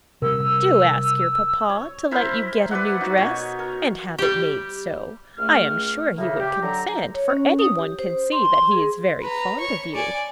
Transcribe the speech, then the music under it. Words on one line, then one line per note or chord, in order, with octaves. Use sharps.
Do ask your papa to let you get a new dress and have it made so; I am sure he would consent, for any one can see that he is very fond of you.
C3 G3 A#4 E6
C#5
E4 A#4 C5 B5
B4 D5 F#5
D#4 F#4
B2 C#5
A#4
G3 G4
C#2 A3 F6
A2 C#3 A#3 D#4 E5
G4
D3 F#3 A#5
C#5
C#4
D#6
G4
C5
C6
G#4
B4 A#5
C#5 C#6
D5 G#5